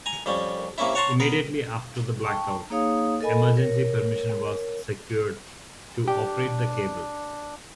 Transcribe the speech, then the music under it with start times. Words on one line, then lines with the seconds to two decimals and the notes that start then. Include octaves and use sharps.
Immediately after the blackout, emergency permission was secured to operate the cable.
0.06 G#5 A#5
0.26 F2 G3 C#4
0.78 C3 A#3 C#4 E4
0.95 C#5 F#5 A5 A#5 C6 C#6
1.20 B3 A#4
2.23 G5 A5 C#6
2.70 A#3 D#4 G#4 C#5 F5 D#6
3.21 A4 A#4 D#5 G#5 B5
3.57 A#4 C#5
6.08 D4 G4